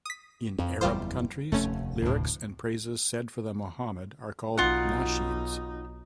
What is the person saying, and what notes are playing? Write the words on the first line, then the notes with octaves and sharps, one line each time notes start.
In Arab countries, lyrics and praises said for the Muhammad are called Nasheeds.
D#6 B6
F2 C4
F#1 E2 E3 G3 F4 C5
F1 D#2 A3 C#4
D2 A2
B1 D#4 F4 F#5